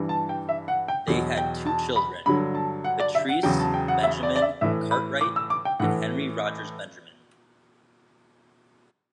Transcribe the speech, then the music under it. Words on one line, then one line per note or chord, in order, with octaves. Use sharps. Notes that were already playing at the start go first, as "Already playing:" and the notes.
They had two children, Beatrice Benjamin Cartwright and Henry Rogers Benjamin.
Already playing: G2 E3
A5
G5
E5
F#5
G5
E2 B2 F#3
G5
A5
B5
G2 D3 F#3 B5
A5
F#5
D5
E5
F#5
E2 C#3 F#3 G5
A5
G5
F#5
E5
D5
D5
E5
A2 E3 E5
B5
D6
E6
D6
G5
A2 E3 F#5